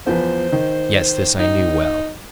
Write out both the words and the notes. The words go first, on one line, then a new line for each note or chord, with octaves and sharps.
Yes, this I knew well.
E2 F3 B4 C5
D#3
D#4